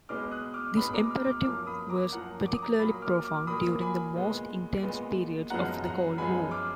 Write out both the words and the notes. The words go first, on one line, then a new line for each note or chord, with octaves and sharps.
This imperative was particularly profound during the most intense periods of the Cold War.
B2 G#3 B3 D6 F6
D#6 F#6
D6 F6
B2 G#3 B3 B5 D#6
A#5 D6
D6 F6
D6 F6
F#2 F3 A#3 D6 F6
B5 D#6
A#5 D6
F#2 F3 A#3 F#5 A#5
D6
D#6
A#5 D6
A#2 F#3 A#3 B5 D#6
D6 F6
D6 F6
A#2 F#3 A#3 B5 D#6
G#5 B5
A#2 G#3 B3
A#2 G#3 B3
F#2 F3 G#3 B3 F#5 A#5
F#5 A#5
F#2 F3 G#3 B3 G#5 B5
D6 F6